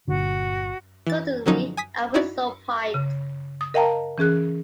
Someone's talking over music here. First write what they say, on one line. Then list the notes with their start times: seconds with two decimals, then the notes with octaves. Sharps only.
Suddenly a whistle piped.
0.08 G1 A#2 D3 F#4
1.07 E3 A6
1.46 D3 F3 F#3 C#4 D#4
1.77 G#5 D#6 B6
2.14 D#4 E4 F#4 D5
2.94 C#3
3.61 D#6
3.74 A#4 D#5 F5 G5 A5 A#5
4.18 E3 C#4 G#4 F#6